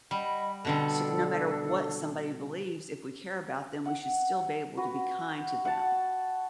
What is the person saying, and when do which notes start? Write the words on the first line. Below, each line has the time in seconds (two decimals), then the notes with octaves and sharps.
t no matter what somebody believes, if we care about them, we should still be able to be kind to them.
0.11 G3 D#5 F#5 B5
0.65 B2 D3 G3 D4 A4
3.85 F#5
4.77 F#4 B4
5.65 F#5 A5